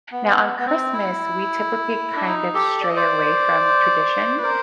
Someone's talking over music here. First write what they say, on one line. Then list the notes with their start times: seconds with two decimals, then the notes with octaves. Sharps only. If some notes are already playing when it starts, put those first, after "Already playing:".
Now, on Christmas, we typically kind of stray away from tradition.
0.12 B3
0.59 B3
0.66 C4
0.93 E4
2.16 D4
2.27 D#4
2.54 G4 A4
2.81 D5
2.89 D#5
2.96 C5 D5
4.38 B4
4.43 A#4 C5